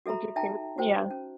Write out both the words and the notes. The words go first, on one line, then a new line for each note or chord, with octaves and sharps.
Would you agree with yeah.
F#4 A4 E5 A#5 B5
D#4 E5 G5 A5 A#5
F#4 C5 G5
C#4